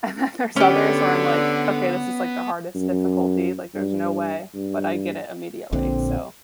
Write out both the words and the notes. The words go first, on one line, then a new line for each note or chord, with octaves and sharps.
and then there's others where I'm like, "Okay, this is," like, "the hardest difficulty," like, "there's no way," but I get it immediately, so
D3 B3 C#4 G4
F#2
G2
G2
A#1 A#2 D3 C4